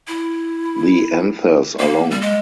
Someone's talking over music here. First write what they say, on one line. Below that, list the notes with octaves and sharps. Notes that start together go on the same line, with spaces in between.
The anthers are long.
E4
A#3
G3
G#3